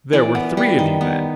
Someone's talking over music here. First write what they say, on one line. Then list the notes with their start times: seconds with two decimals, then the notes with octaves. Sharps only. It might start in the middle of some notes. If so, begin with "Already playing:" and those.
"There were three of you, then."
0.13 E3 D5
0.35 B3
0.57 G3
0.79 D#3
1.01 B3